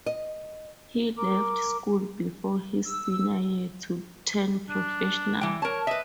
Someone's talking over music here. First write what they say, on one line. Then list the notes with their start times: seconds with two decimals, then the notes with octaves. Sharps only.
He left school before his senior year to turn professional.
0.06 D#5
1.18 A#4 D6
2.84 E6
4.69 D4
5.41 E3 G5
5.62 A#4 C#5 A5
5.87 B4 D#5 E5